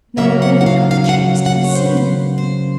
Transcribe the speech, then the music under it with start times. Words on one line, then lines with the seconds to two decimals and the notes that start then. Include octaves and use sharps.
Not a living creature was to be seen.
0.17 C#3 F#3 A#3 C#4 E5
0.42 F#5
0.61 F#5
0.66 F5
0.91 F5
1.04 F5
1.09 F#5
1.46 F#5
1.64 C#5
1.75 C5
1.86 B4
1.97 C5
2.38 C5